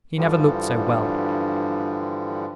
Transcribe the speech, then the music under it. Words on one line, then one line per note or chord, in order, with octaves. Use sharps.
He never looked so well.
G2 D3 E3 F3 G3